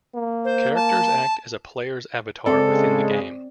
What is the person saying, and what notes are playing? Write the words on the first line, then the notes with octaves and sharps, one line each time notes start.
Characters act as a player's avatar within the game.
A#3
C5
A5
C#3 G#3 C4 A4 D5